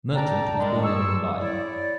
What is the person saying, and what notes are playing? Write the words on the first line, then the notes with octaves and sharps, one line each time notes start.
Merchant was born in Mumbai.
D5 G5 A5 A#5
D#3 G3 G#3 D4
E3 G#4 D5 C#6 E6
E4 C#5 D5